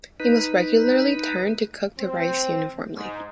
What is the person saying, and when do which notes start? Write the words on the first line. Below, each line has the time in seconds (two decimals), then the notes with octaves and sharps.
He must regularly turned to cook the rice uniformly.
0.20 D#4 B4
2.00 C4
2.94 G#2